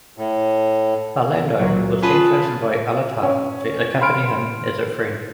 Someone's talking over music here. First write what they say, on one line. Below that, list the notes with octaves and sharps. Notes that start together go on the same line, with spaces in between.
Pallando was then chosen by Alatar to accompany him as a friend.
A2
C#2 A#2 F#3
C#4 F4 G#4 B4 A5
C#4
B5 C6 F6 D7